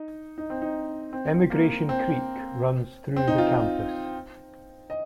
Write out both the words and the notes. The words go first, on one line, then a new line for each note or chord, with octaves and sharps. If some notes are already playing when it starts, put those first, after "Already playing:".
Emigration Creek runs through the campus.
Already playing: D#4
D#4
C4
D#4
C4
A#3
C4
C4
D#4
F4
D#5